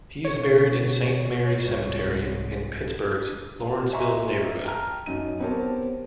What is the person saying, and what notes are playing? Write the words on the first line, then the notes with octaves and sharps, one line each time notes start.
He is buried in Saint Mary Cemetery in Pittsburgh's Lawrenceville neighborhood.
B2 C#5
C2 G#2
D#5 E5 G#5 A#5 C6 C#6
G5 A5 A#5 F6
F#2 D#4 D#7
B3 C4 G4 A#4 C#5 A5